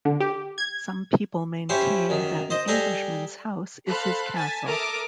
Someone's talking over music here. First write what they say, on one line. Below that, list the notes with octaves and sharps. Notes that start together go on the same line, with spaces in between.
Some people maintain that an Englishman’s house is his castle.
D3
G4
G#6
C#4 E4 G4 C5
F#2 D#3
C5 D#5
G3 G#4 A4 G5 A#5
A4 C5 F5 B5 F#6
G#5 A5 A6 B6
A4 A#4 E5 D6 D#6 F6